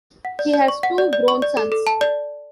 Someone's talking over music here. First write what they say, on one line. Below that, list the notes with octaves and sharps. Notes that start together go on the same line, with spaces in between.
He has two grown sons.
F#5
D5
D5
C#6
F#5
D5
D5
C#6
D5
A4
A4
A5
D5